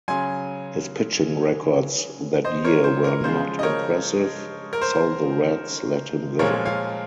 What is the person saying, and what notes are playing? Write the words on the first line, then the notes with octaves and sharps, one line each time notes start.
His pitching records that year were not impressive, so the Reds let him go.
C#3 F#3 G#5 C6
C5 D#5
A#4 C#5
C5
A#4
C#3 F3 G#3 C5
D#5
A#4 C#5
A#4
C5
A#2 F3 G#3 A#4 C#5
C#5 F5